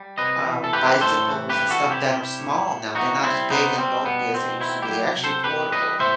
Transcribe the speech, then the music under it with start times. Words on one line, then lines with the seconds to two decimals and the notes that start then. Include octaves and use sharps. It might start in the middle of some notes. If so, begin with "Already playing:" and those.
um, bicycles and stuff that are small now. They're not as big and bulky as they used to be, they're actually portable.
Already playing: G3
0.18 C3 B4 D#5
0.46 E3
0.64 A4
0.73 G3 G4 B4
1.01 A2 A4 C5
1.28 E3
1.49 G4 B4
1.56 G3
1.70 F#4 A4
1.84 C3
1.91 E4 G4
2.12 G3
2.39 A2
2.67 A2
2.94 E3 D#4 F#4
3.23 G3 C4 E4
3.50 C3 B3 D#4
3.78 G3 C4
4.06 B2 B3
4.34 B2 C4
4.61 D#3 C4 E4
4.82 E4 G4
4.89 F#3
5.17 C3
5.24 A4 C5
5.44 E3 G4 B4
5.72 G3 B4 D#5
6.00 A2 C5 E5